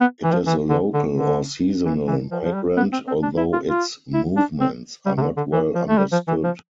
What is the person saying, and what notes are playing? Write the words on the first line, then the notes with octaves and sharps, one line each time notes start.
It is a local or seasonal migrant, although its movements are not well understood.
B3
E3
F3
E3
D3
D3
D3
E3
E3
F3
F3
G3
B3
C4
C4
D4
E4
F4
F4
E4
D4
C4
G3
C3
D3
D3
E3
F3
A3
G3
F3
E3
F3